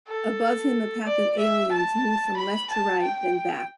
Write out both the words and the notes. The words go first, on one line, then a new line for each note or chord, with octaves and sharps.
Above him a pack of aliens move from left to right, then back.
A4
D5
E5
A5
B5
A5
G5